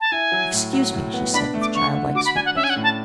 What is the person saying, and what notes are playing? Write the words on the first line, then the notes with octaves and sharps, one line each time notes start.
"Excuse me," she said, with childlike sweetness.
A5
E4 G#5
F#3
A2
F#3
A2
B3
D4 B5
A3
D6
D3 C#6
D3
F#4 D6
B5
D4 G#5
F#5
C#4 E5
G#5
F#5
A2
A5